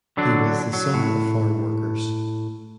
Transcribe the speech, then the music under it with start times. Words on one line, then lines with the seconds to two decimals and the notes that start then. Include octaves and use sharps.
He was the son of farm workers.
0.17 D3 F#3 D4
0.73 F#3
0.94 A2